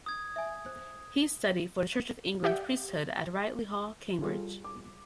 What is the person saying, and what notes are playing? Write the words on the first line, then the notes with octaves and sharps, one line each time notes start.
He studied for the Church of England's priesthood at Ridley Hall, Cambridge.
D#6 G#6
E5 G#5
C5
G4 D5 E5 F#5 G5
G3 F4 G#4 A4
D6